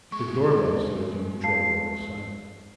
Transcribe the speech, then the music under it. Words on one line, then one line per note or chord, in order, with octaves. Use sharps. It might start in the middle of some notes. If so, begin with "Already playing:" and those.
The door-bell saved him the trouble of deciding.
G#3 A3 C#6
F5 A5 C7